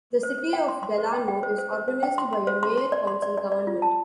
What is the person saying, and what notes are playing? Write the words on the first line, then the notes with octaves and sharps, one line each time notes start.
The city of Delano is organized by a Mayor-Council government.
C5
C5
G5
C6
C6
C5
G5
G5
C5
C5
C5
C5
G5
C6
C6
C5
C6
C6
D5
C6
D5
D5
D5
F4
A5